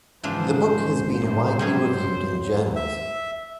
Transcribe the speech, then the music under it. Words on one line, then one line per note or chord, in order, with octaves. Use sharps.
The book has been widely reviewed in journals.
G#2 C#3 E3 F3 D4 F4 C5
A2
C3 F#3 G3 G#4 C5
E5